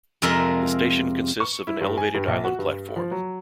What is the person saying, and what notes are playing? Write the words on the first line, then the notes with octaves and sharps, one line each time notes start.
The station consists of an elevated island platform.
F2 C3 G#3 F4 A#4 E5
C#6
E4
G2
G#5
G2
A#1
F#4
G2
F3
F#3